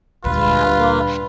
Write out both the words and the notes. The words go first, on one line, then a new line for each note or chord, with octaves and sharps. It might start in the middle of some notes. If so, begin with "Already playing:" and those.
Yeah, well,
D2 G2 A#2 F4 B4